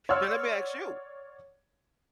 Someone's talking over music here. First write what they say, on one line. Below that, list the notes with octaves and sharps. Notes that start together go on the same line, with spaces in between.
Now let me ask you.
C#5 D5 F#5 C6 E6 F6